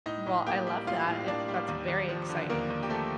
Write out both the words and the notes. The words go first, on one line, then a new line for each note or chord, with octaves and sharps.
Well, I love that. It that's very exciting.
A2 D#4 D#5
A2
A#3 G4 G5
G3
A2 F4 F5
A2
A#3 D4 D5
G3
D#2
D#2
F3
D3
D#2 A#3 A#4
D#2
G4
F3 A3 A4